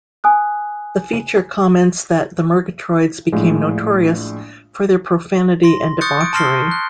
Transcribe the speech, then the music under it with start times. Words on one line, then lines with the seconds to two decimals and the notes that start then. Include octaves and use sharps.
The feature comments that the Murgatroyds became notorious "for their profanity and debauchery".
0.24 G#5 D#6 F#6
3.33 A#1 A2 G#3
5.63 C6 A#6
6.01 C#6 D#6 F#6 G6 A6 C#7
6.21 D7
6.33 A5 C6 F6 A#6 C7 G7
6.71 F#6